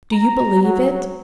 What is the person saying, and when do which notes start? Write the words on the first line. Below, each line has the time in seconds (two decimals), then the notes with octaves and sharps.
Do you believe it?'
0.12 A#5
0.62 F#3